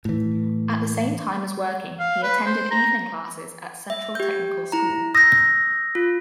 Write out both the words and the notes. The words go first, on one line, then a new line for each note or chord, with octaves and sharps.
At the same time as working, he attended evening classes at Central Technical School.
A2 E3
F5
B4
C5
A#5
E5
G4 G6
E4 A#5
D#6 E6 G6 A#6
F4